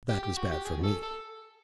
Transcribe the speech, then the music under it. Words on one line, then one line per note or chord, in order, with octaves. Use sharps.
That was bad for me.
G4
G4
F#4
G4
G#4
A4
A4